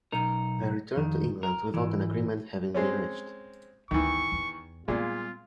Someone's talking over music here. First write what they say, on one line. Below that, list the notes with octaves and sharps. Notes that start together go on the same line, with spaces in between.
They returned to England without an agreement having been reached.
B1 D#4 A#4
F2 D#3
A#4
G#2 E3
G#3 C4 C#4
G1 D2 D#3 E3 C#6
E2
A#2 G3 G#3 B3 F4